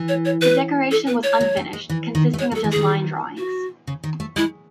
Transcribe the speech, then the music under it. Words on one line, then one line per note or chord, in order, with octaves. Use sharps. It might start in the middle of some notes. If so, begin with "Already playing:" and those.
The decoration was unfinished, consisting of just line drawings.
Already playing: E3
C#5
C#5
B4
A4
B4
C#5
F#3
A3
G#3
E3
D#3
A3
G#3 C#5
F#3
A4
E3
D#3 G#4
F#4
C#3
D#3
A3
G#3 E4